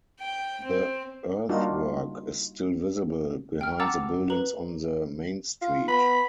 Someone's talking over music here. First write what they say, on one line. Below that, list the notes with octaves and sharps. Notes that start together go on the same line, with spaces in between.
The earthwork is still visible behind the buildings on the main street.
G5
C4
G3 A#3 D4 D#4 F4 F#4
G5 F6
F#5 A5 A#5 D6 E6 A6
B4 A#5 F#7
F4
B3 B5